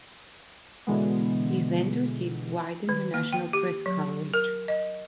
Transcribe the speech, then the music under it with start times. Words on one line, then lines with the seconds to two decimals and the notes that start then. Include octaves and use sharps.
The event received wide international press coverage.
0.87 B2 D3 E3 G#3 B3
2.89 D#3
3.14 A#3
3.33 G5
3.53 G4
3.86 F#3
4.34 A#4
4.68 D#5